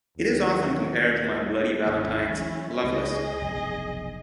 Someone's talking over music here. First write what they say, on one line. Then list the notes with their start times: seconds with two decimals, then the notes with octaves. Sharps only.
It is often compared to My Bloody Valentine's "Loveless".
0.18 D#2
1.86 G#1 D#2 D#3 C#4 E4
2.30 E3 F#3
2.84 C#2 G#4 D#5
3.42 F1 B1 G2